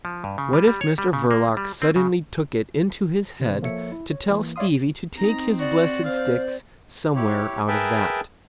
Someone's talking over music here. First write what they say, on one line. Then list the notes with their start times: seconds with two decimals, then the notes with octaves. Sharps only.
What if Mr Verloc suddenly took it into his head to tell Stevie to take his blessed sticks somewhere out of that?
0.05 F3
0.24 G2
0.38 C#3
0.53 G3
0.67 G3
0.81 C#5
0.98 G3
1.13 C#3
1.31 A#3
1.57 G3
1.82 C4
1.96 C#3
3.40 C3 D#3 C5
3.62 F3 A#3 A4 C#5 E5 C#7
3.92 E4
4.10 C#5
4.30 E3 A#3
4.56 C#5 D5 E5 F5 C6 D#6
5.18 C4 D#4 A#5
5.60 F#4 D5
6.05 C5 F5
7.16 E4 G4 C#5
7.68 G#4 A#4 B4 E5 G5 A5